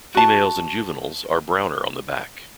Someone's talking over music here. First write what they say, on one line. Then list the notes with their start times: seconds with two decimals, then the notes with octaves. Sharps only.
Females and juveniles are browner on the back.
0.15 F#4 A5